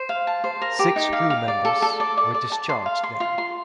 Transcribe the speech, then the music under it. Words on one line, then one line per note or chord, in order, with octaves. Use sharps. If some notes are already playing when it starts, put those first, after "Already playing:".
Six crew members were discharged there.
Already playing: C5
F5
A5
C5
A#4
G4
D#4
F5
F5
D5
A4
A4
D5
D5
D5
A5
C6
F5
C6
F4
C6